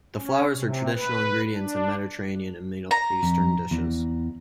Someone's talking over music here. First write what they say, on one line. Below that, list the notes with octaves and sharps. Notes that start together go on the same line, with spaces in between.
The flowers are traditional ingredients in Mediterranean and Middle Eastern dishes.
C#4
C3
B4
D4
A#5
F2
E2